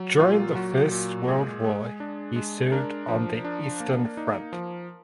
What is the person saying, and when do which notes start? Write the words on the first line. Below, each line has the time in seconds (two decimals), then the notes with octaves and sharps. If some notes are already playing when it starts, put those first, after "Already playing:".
During the First World War he served on the Eastern Front.
Already playing: F#3
0.20 A#2 F4
0.55 F#3 F#4
0.91 A#2
1.28 G#3 G#4
1.64 G#3
2.00 D4
2.36 G#3
2.72 D4 A#4
3.08 F3
3.45 D4
3.80 A#3
4.17 D#4
4.53 F3